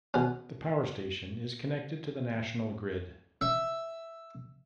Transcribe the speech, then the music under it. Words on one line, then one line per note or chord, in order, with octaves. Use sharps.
The power station is connected to the national grid.
B2 C#4
E5